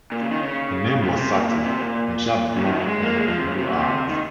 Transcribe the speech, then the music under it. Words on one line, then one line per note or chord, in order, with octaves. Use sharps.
Her name was Sati, and she had blonde hair and blue eyes.
A#2
C#3
D#3
C#3
C3
C#3
C3
A#2
A#2
C3
A#2
C#3
D#3
F3
F#3
G#3
A#3
G#3
F3
C3
C#3
C3
A#2
C3
D#3